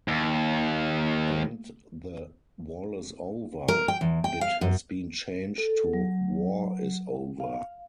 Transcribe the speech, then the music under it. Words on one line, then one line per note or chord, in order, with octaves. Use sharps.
And the "Wall is Over" bit has been changed to "War is Over".
D#2
A#4
G5
E2
G5
F5
F#2
A4
F#3
F5